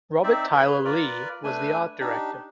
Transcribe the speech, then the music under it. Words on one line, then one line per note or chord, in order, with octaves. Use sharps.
Robert Tyler Lee was the art director.
C4 D#4 C5 D5 E5
G#4 B4
F4 A#4 B4 D5
A3 D4 B4 G#5
D4 D#4 G4